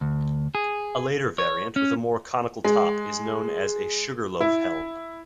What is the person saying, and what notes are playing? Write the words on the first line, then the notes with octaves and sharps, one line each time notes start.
A later variant with a more conical top is known as a 'sugarloaf helm'.
D2
G#4
C#5
C#4
G#3
E4